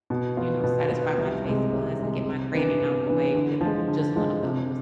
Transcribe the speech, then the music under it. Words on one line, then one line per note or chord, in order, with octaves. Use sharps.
you know, satisfy my taste buds and get my craving out the way with just one of those.
B2
B3 F4
B2
B3 F4
C2
C3 G#3
C2
C3 G#3
C3
E3 B3 D4
C3
E3 B3 D4
D3
F3 G#3
D3
F3 G#3
C3